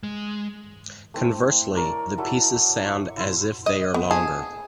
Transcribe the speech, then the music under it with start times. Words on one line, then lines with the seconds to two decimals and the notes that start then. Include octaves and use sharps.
Conversely, the pieces sound as if they are longer.
0.03 G#3
1.14 A3 C4 E4
1.75 A#4 C#5 D5
2.18 F#3 E4 A4 E5
2.86 C#6
3.17 E4 C5
3.66 D#5
3.94 B3
4.11 G#4 A5